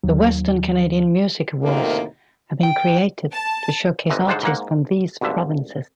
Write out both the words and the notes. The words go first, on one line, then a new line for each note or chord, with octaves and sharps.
The Western Canadian Music Awards have been created to showcase artists from these provinces.
D#2 F#3
D2 A2 C3 D#3 A#3 A#4
G5
A5
G1 C3 E3 D#5
G#2 D3 G#3 F4 C5 F#5
G#2 A#3 F#5
G#1 D2 G2 D3 E5